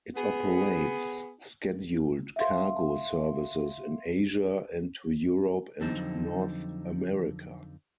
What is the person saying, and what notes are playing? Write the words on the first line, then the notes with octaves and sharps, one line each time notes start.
It operates scheduled cargo services in Asia and to Europe and North America.
B3 G#4
E5 F5 C6
F2 D3 F3 F#3 D#4 C5